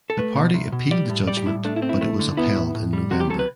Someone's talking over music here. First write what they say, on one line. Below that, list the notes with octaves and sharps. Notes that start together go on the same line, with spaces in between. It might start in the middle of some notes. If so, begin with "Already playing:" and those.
The party appealed the judgement but it was upheld in November.
A4
A3 B4
B2
C2
B2
G3 D5
A2
G3 D5
G4
A2 E4
A3 D4
E4
C4
E4
A3
D3
B3 E4
A2
A2
G3
C3 F#4
G4
F#3 A4
B4